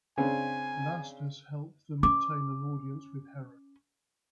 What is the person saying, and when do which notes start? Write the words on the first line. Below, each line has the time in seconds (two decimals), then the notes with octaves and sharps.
Blastus helped them obtain an audience with Herod.
0.18 C#3 C4 D4 G#5
2.03 C#4 D6